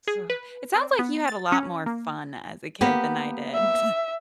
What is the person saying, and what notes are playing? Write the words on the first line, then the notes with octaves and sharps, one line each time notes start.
So it sounds like you had a lot more fun as a kid than I did.
G#4
B4
C4
B3
A6
C#4
A#3
A#3 B3 G4
E5